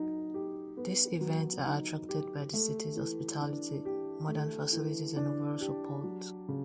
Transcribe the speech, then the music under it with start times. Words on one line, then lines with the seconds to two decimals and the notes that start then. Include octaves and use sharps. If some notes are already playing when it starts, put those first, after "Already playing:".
These events are attracted by the city's hospitality, modern facilities and overall support.
Already playing: F#3 D#4
0.34 G4
0.77 B3
1.21 F#3
1.65 D#4
2.09 G4
2.54 A3
2.96 E3
3.41 D4
3.85 G4
4.28 A3
4.73 E3
5.16 D4
5.61 G4
6.04 F#3
6.48 C#3